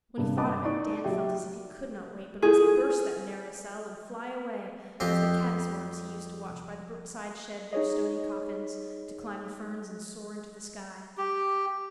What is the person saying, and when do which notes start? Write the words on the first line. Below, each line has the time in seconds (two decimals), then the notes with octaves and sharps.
When he thought of it Dan felt as if he could not wait, but must burst that narrow cell and fly away, as the caddis-worms he used to watch by the brookside shed their stony coffins, to climb the ferns and soar into the sky.
0.17 G2 C3
0.38 D#5 G#5 A5 B5 D6
0.65 D#4 D5 C#6
1.04 F#3 G4 E5 G5
2.42 E4 F4 G#4 A4
5.00 F2 C4 G4
7.73 D#4 G#4 C#5 D#5
11.17 G4